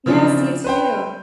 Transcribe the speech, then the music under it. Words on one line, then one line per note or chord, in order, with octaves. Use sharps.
Yes, you, too.
C#3 E3 F3 C4 D4
B4 C5 G5